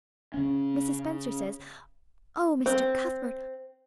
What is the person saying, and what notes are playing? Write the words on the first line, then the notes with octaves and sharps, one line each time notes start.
Mrs. Spencer says--oh, Mr. Cuthbert!
C#3 C#4
C4